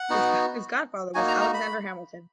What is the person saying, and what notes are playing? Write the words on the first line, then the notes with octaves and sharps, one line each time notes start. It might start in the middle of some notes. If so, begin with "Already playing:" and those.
His godfather was Alexander Hamilton.
Already playing: F#5
B3 D#4 F#4
A#3 D#4 F#4 G#5
A#5
A#5
B5